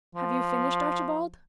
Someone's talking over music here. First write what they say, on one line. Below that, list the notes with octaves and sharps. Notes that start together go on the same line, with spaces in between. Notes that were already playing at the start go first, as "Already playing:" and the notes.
"Have you finished, Archibald?"
F3